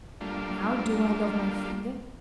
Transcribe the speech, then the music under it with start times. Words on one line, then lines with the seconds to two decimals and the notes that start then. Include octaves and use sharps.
Now do I love my finger?
0.21 G3 A3 A#3 D4 F4